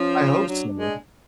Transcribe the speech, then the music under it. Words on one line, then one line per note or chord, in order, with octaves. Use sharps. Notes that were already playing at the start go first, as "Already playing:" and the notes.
I hope so.
Already playing: F3 C#4
F#3 D4
G#3